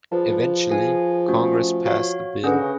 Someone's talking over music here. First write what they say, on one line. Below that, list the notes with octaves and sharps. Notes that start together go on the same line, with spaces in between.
Eventually, Congress passed the bill.
F3 G#4 B4 D5 F5 A5
G#4 B4 F5 G#5
A3 C#4 F#4
F#4 C#5 F5
D3 C#4 G#4 B4
C#3